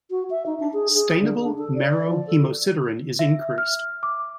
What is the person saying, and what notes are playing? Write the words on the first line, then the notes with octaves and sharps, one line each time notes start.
Stainable marrow hemosiderin is increased.
F#4
E5
D#4
D4
G#4
G#4
D3
D4
A4
D5
F3
A4
E5
F6
D6